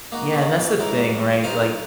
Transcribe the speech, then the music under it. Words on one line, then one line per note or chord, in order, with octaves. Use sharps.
Yeah, and that's the thing, right? Like,
A#3 D#4 F#4
B2 D#3
B2 E3
F#2 E3 G#3 A#4
B1 D#4 C5 F5